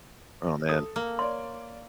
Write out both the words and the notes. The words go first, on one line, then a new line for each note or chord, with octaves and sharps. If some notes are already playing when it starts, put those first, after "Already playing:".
Aw, man.
A4 D#6
A#3
C#5 D5 C6